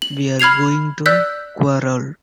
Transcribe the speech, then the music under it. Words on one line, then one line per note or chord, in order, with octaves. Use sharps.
We’re going to Querol.
F#7
B5 F6 G#6 C7 F7
D5 E6 F#6 G6 B6